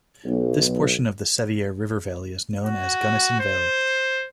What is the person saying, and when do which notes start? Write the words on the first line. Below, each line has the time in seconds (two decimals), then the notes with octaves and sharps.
This portion of the Sevier River Valley is known as Gunnison Valley.
0.25 B1
2.65 F#4
3.39 C5